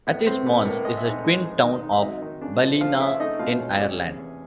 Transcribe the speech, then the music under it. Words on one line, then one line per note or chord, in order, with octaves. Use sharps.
Athis-Mons is a twin town of Ballina in Ireland.
A2 B3 B4
A2 C4 C5
A2 B3 B4
A2 A#3 A#4
G#2 D#5
E5
G#2 D#4 D#5
G#3 D#4 D#5
G#2
D#3 D#4 D#5
D#4
E5
F#3 D#4 D#5
D#3
C#3 D4 D5
F3
F3 F4 F5
C#3 E4 E5
A3 D#4 D#5
B2 F4 F5
C#4
C#4 G4 G5
C3 G#4 G#5
E2